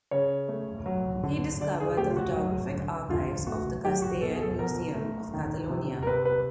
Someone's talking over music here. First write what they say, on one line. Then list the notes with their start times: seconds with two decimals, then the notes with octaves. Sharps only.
He discovered the photographic archives of the Casteller Museum of Catalonia.
0.11 C#3 C#5
0.49 A3
0.86 F#3
1.23 D3
1.61 D3 D5
1.80 G#4
1.97 A3 G4
2.11 F4
2.17 F#4
2.36 F#3
2.72 D3
3.10 D3 F4
3.47 A3 F#4
3.83 F#3 G4
4.02 F#4
4.21 B2 A4
4.35 G#4
4.40 A4
4.58 B2 A#4
4.95 A3
5.34 D#3
5.70 C3
6.03 A#4
6.07 C3 B4
6.25 B4